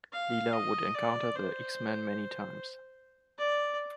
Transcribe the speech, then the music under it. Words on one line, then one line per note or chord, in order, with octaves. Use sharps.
Lila would encounter the X-Men many times.
F5
D#5
D5
C5
D5